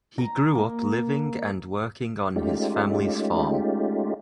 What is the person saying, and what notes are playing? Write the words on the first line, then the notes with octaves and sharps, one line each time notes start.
He grew up living and working on his family's farm.
A#5
A#3
G#3 A3 C#4 D#4 F4 G4